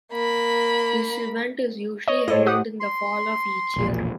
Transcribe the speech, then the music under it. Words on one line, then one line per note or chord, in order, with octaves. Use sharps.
This event is usually held in the Fall of each year.
A#3 B5
C#5 D#5
A2 E4 A4 C5 C#5 D#5
G4 F#5 D#6
C6
E1 A#1 A#2